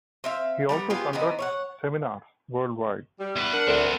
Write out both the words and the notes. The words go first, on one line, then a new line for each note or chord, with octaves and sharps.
He also conducts seminars worldwide.
C4 E5 F5
G3 B3 F#5 A#5
B3 F4 G4 G#4
E3 B3 C4 D#4
C#5 F5 F#5
G3
E2 B4
D4 A#4 F#5
D2 B3 C4